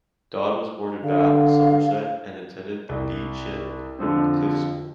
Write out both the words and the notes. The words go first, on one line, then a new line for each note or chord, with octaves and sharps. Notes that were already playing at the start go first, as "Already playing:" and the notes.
Dodd was born in Bath, Somerset and attended the Beechen Cliff School.
D3 F5
C2
F2 D3 F3 C4